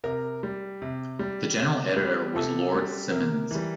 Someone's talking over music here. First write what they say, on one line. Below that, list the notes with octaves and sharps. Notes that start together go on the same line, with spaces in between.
The general editor was Lord Simonds.
C3 A#4
G3
C3
G3
C3
G3
C3 A4
G3
C3 A#4
E3 G3